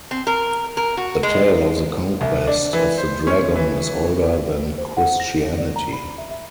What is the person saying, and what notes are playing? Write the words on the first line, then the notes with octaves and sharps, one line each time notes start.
The tale of the conquest of the dragon is older than Christianity.
C4
A#4
A#4
F#4
G#3
C2
D4
E3
C5
C#4
E3
C5
F#5
A#6
D5
A#5
B5
E5
E5